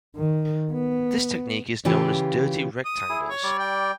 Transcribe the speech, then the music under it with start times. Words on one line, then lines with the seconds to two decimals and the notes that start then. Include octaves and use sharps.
This technique is known as dirty rectangles.
0.16 D#3
0.73 B3
1.85 C#3 E3 F4 G4
2.85 D#6
3.09 E4 G#4
3.30 C#5
3.43 G3 D5
3.59 G5